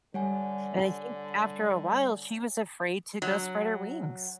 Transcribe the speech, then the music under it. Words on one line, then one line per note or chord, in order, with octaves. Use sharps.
And I think after a while, she was afraid to go spread her wings.
D3 G3 C#5 F#5 G#5
F#3